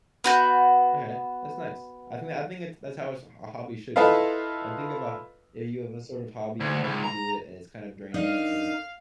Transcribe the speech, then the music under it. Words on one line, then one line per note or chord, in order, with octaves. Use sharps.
Okay, that's nice. I think I think it's that's how a s a hobby should be. I think of a if you have a sort of hobby, and you do it, and it's kind of draining, and
B3 F#4 G6
E4 F4 A4 B4 D#5 F5
D2
C#2
A#5
D4 D#4 A#4 F5